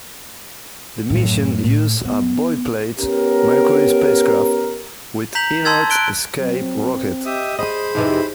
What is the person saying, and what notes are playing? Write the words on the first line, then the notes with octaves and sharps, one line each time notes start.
The mission used a boilerplate Mercury spacecraft, with inert escape rocket.
F#2 A2
A2
B3
B3 C#4 G4 A#4
A#5 G6 B6 F7 F#7
A5 C6 E6 G#6 A6
F#6 D7 G7
F#3 C4
G4 D#5 E5 D#6
G#4 C5 D#5 B5
F2 C3 E3 D#4